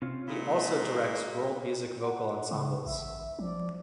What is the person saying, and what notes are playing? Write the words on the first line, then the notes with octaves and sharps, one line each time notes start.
He also directs world music vocal ensembles.
C3 C4 C#4 F4
A#2 G#3 A#3 E4 F4 G#4 A4
F#5
C#3
A1 E5
F3 D5